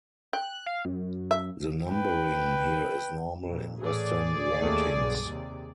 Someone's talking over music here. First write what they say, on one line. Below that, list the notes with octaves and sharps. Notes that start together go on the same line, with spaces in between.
The numbering here is normal in Western writings.
G5 F#6
F5
F#2
E5
B4 G5
F2 A#2
A2 E3 G#4 D5
D#2 A3
B1 G2
D#2 C3